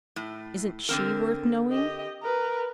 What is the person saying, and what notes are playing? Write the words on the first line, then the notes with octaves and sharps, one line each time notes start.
Isn't she worth knowing?
A2
D3 C4 A#4
G4 D#5
A#4 B4